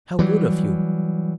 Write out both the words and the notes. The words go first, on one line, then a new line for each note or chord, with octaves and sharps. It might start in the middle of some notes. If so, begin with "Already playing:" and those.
"How good of you!"
E3 F#3 G3